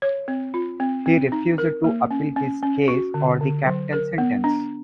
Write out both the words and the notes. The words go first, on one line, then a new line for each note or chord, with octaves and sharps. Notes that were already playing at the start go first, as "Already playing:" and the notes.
He refused to appeal his case or the capital sentence.
C#5
C4
F4
C4
C4
D#4
A#4
A#3
C#4
C#4
C#4
F#4
D3
D3
F#3
A#4
B3
D4